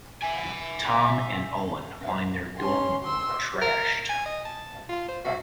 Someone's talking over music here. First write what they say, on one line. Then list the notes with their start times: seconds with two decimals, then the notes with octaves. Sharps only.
Tom and Owen find their dorm room trashed.
0.23 E5 G#5
2.59 C#4 C6
3.04 C6 E6
3.61 A#4
4.09 G#5
4.26 D#5
4.45 A5
4.89 F4
5.09 C5
5.25 F#4